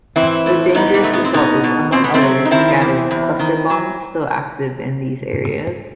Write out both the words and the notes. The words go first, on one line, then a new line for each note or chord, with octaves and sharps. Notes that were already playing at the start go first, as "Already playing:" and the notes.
The dangerous result is, among others, scattered cluster bombs, still active in these areas.
E3 C4 E4
A2
A2 B3 D#4
G3
A2 A3
B3
C4
B2 B3 D#4
B2
B2 C4
B3
A3 C4
F#3
D#4
D#3 C4 E4
E2
E2
D#3
F#3